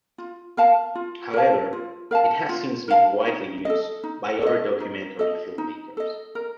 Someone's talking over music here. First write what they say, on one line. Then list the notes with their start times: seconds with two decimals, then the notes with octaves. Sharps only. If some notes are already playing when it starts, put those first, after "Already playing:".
However it has since been widely used by other documentary filmmakers.
0.18 F4
0.57 A#4 F5 A5
0.95 F4
1.34 A#4 F5 A5
1.73 F4
2.11 A#4 F5 A5
2.49 F4
2.88 A#4 F5 A5
3.27 D#4
3.65 A4 D#5
4.04 D#4
4.42 A4 D#5
4.80 D#4
5.19 A4 D#5
5.58 D#4
5.97 A4 D#5
6.35 A#4